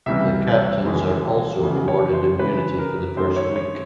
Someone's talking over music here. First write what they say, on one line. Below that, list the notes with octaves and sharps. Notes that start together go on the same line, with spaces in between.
The Captains are also awarded immunity for the first week.
C#2 C3 E3 G3 E5
D#2 C#3 E3 G#3
E2 C#3 F3 A3
C#5
C5
F#2 C#3 E3 B4
A#4
F#2 D#3 F#3 A3 C5
C#5
C#5